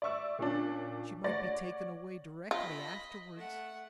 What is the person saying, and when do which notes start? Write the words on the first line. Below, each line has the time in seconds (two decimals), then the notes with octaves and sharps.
She might be taken away directly afterwards.
0.02 D5 E5 C#6 E6
0.39 A#2 C#4 D4
1.24 C#5 D5 F#5 A6 A#6
2.51 F4 D#5 B5
3.36 A3 F#5